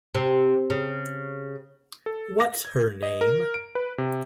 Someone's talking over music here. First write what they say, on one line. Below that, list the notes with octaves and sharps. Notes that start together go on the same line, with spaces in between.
What's her name?
C3
C#3
A4
A#6
G#6
D#5
A#4
D7
B4
C3